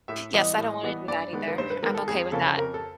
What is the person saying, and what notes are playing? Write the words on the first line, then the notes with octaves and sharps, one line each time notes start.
Yes, I don't wanna do that either. I'm okay with that.
A2 E5
E3 G3 B3 D#5
A2
E3 G3 B3
G2 D5
D#3 G#3 B3
B4
G2 C5
B4
D#3 G#3 B3 A#4
A4
F2 G#4
C#3 F3 A#3 C#4 A4
F2 A#4
A4